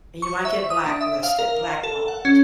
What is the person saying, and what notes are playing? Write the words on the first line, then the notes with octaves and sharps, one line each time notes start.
And you might get blacklisted, blackballed.
C#6
E5
D#6
D4
E5
F5
A#4
A4
F#5
C#4